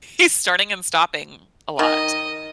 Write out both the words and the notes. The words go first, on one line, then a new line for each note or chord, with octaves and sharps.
he's starting and stopping a lot.
D#3 D#5